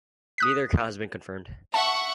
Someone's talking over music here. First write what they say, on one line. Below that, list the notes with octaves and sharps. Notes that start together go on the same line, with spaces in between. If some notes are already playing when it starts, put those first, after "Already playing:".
Neither account has been confirmed.
D#6 F#6 B6
E5 F#5 A5 C#6